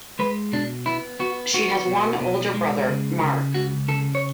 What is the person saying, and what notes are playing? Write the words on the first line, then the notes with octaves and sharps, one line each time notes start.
She has one older brother, Mark.
G#3 B4
B2 D4
B3 E4
B3 F#4
B3 F#4
B2
B2
G#3
C#3
C#3
C#2 F#4
C#3 A4
C#5